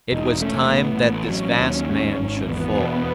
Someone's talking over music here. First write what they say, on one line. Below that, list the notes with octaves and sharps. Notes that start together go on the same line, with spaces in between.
It was time that this vast man should fall.
E1 D#4
A3 C#4
A1 B3
A1
F#3 C#4
D#2
G#2
G#1
E2 B3
B2